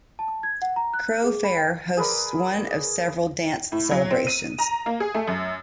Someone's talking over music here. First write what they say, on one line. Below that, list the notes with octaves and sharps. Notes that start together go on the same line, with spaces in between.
Crow Fair hosts one of several Dance Celebrations.
A5
G#6
F#5
A#5
F#6
G#4
B5
G5
G#4 A#4 B4 D5
A2
F#3
C4
D#7
A#5
A#3
G#4
A3
F#2